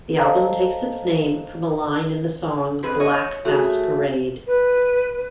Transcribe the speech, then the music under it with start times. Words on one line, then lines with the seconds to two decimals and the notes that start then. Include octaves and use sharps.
The album takes its name from a line in the song "Black Masquerade".
0.19 A4 C5 D#5 F5 A5 A#5
2.83 F2 G#4 B4
3.00 C#5 D#5
3.45 A3 F#4 G#4
4.47 B4